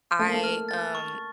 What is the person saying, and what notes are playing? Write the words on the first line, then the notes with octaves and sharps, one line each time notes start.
I, um,
A3 A5
A#3
A3
F6
A6
C#6